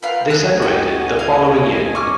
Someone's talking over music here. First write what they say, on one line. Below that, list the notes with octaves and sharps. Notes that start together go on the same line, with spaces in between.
They separated the following year.
F4 A#4 B4 F5 G5
D2 D#5 G#5 F#6
F#4 G4
F5
C#6 D6 F6